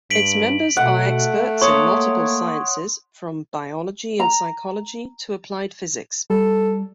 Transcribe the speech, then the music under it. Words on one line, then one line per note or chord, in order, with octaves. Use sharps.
Its members are experts in multiple sciences, from biology and psychology to applied physics.
G2 B6 D7 F#7
B2 A3 F#5
A#3 C#5 C6 D#6
A#5
G3 A4